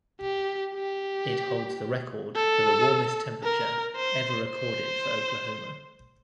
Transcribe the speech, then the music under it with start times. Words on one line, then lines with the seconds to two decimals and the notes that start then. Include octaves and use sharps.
It holds the record for the warmest temperature ever recorded for Oklahoma.
0.21 G4
0.75 G4
2.36 A4
3.43 A#4
3.96 C5
4.50 C5